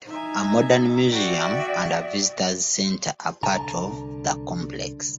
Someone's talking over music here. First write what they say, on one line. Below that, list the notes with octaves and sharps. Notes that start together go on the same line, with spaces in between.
A modern museum and a visitors center are part of the complex.
D#4 E5 G#5
F#4 D5 E5 G5
C2 D3 A5 A#5